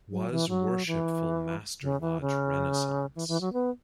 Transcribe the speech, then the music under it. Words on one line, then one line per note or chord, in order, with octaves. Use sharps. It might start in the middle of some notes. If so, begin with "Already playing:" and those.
Was Worshipful Master Lodge "Renaissance".
F#3
E3
F#3
E3
C#3
E3
C#3
E3
E3
F#3
B3